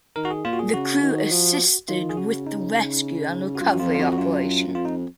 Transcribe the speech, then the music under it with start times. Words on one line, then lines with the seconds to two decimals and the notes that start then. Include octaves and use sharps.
The crew assisted with the rescue and recovery operation.
0.16 D#3 A#4
0.25 F#4
0.31 G#4
0.45 A#2 F4
0.53 F#4
0.59 G#4
0.74 C#3 F#4
1.03 D#3
1.31 F3
1.89 D#3 F4
2.10 G#4
2.17 C#3 F#4
2.47 D#4
3.55 F#4
3.61 F#2 F4
3.73 F#4
3.80 F2 F4
3.95 F4
3.99 F2 F#4
4.13 F#4
4.18 F#2 F4
4.68 F#2
4.75 F2 F4
4.85 D#4